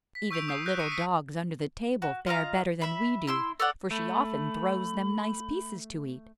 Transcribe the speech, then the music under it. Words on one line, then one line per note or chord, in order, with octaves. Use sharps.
Even the little dogs under the table fare better than we do, for she often throws them nice pieces to eat.
B6
C#6 E6 G6 D7 F7
D#6 E6 G6 C7 D7
F#6 G6 A#6
A#6 C#7 D#7
B6 C#7
F#4
F4 D#5 F5 A#5
E5 B5
E4 C6 E6
A4 C#5 D5 F#5
A3 B5